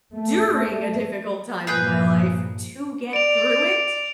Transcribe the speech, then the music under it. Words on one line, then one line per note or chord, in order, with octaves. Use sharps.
during a difficult time in my life to get through it
A3
G2 A#2 F3 G#4 B4 G6
D5 D7 F7